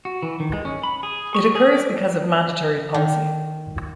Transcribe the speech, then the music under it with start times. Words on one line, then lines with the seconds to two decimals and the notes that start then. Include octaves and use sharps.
It occurs because of mandatory policy.
0.05 F#4
0.23 E3
0.40 D#3
0.53 G#3
0.65 C#4
0.83 B5
1.03 G#4
1.35 C#6
1.55 G#4
1.75 D5
2.94 D#3